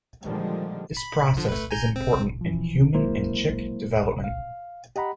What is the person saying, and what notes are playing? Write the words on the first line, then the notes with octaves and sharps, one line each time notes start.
This process is important in human and chick development.
A#2 D3 D#3 F3 G3 G#3
B5
D3 F3
A3 B4
G#5 A#5 G6
C4
E3 F3
F#3 G#3 A#3 E4 A#4 C5
F5
G4 D#5 F#5 A#5 B5